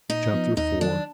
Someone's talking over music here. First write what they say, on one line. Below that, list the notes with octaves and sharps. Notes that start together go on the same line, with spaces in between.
Chapter IV.
A#2 D#4
F3 B3
D#2 D#4
D#3 F#3 D4